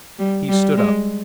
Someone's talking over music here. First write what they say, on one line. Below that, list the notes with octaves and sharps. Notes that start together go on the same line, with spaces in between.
He stood up.
G3
G3
G#3